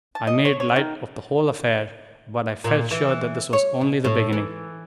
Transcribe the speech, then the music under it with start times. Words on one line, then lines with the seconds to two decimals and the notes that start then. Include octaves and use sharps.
I made light of the whole affair, but I felt sure that this was only the beginning.
0.15 A5
0.27 D#5
0.45 C#5
0.60 C#5
0.76 D#3
2.64 A#2
2.91 E3
3.53 C#5
3.81 B2
4.04 A2
4.33 E3